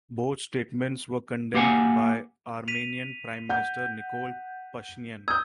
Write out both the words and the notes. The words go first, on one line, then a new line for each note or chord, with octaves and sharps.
Both statements were condemned by Armenian prime minister Nikol Pashinyan.
A#3 G4 F5 F#5 G#5
B6 D#7 F7
F#5 G6
D#6 E6 G6 G#6